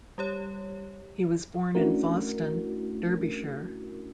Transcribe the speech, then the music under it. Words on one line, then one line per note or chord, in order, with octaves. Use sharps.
He was born in Foston, Derbyshire.
G3 G4 C#5
A3 C#4 D4 E4 F#4 A#4